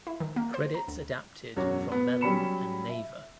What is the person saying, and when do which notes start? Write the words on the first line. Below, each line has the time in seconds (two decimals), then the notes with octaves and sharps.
Credits adapted from Melon and Naver.
0.07 E4
0.20 D#3
0.36 A#3
0.54 C5
0.74 A#5
0.88 D2
1.56 E1 F#2 F#4 C#5 D6
1.92 B3
2.21 F#3 G3 C#4 B5 C#7 E7
2.89 E5